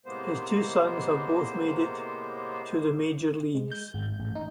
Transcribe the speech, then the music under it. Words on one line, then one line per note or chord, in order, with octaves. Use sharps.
His two sons have both made it to the major leagues.
A2 C3 G#3 A#3 B3 C5
G#3
G6
G#1
A1
D#4